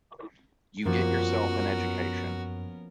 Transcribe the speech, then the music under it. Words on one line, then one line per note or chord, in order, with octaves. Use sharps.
You get yourself an education.
F#2 F3 A#3 B3 C#4 F#4 A#4